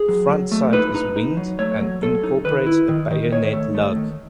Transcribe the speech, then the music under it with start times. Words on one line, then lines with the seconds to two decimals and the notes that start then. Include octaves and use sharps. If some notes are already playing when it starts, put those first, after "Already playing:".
The front sight is winged and incorporates a bayonet lug.
Already playing: G#4
0.08 F#3
0.29 F#3
0.52 A3
0.73 D#4 B4
0.95 D#4
1.16 D#4
1.37 F#3
1.59 A3 C#5
1.81 F#3
2.02 F#3 A4
2.23 D#4
2.45 D#3 B4
2.66 E4
2.89 D#3
3.11 D#3
3.32 D#3 C#5
3.53 A3
3.75 A3
3.96 D#3